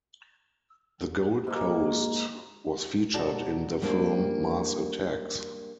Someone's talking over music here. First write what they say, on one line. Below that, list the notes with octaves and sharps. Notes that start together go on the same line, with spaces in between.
The Gold Coast was featured in the film Mars Attacks.
G#2 A#3
B2 D#4 F#4 A4 D5 A5
G3 G#3 A#3 C4 D4 G4